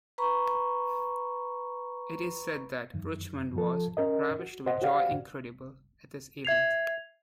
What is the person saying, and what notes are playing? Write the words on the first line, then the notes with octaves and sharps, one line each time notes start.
It is said that Richmond was "ravished with joy incredible" at this event.
B4 A#5 B5 C#6
F#2 D#3
F3 A4
C#4 A#4 D#5
F#4
C5 D#5 F#5
F#4 G4 C5 D5 F5 F#5
E5 G#6 C7 F7